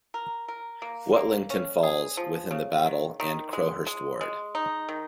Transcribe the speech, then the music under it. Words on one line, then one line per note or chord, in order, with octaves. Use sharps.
Whatlington falls within the Battle and Crowhurst ward.
A#4
A#4
A#3
A#3
C#4
G#4
F3
C#3
D#3
D#3
G#3
G#3
G#3
D#4
D#3